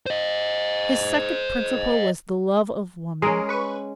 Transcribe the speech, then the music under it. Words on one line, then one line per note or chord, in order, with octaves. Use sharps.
His second principle was the love of woman.
C5 D#5
G#3 C#4 G#4 A#4
B4 C#6 D#7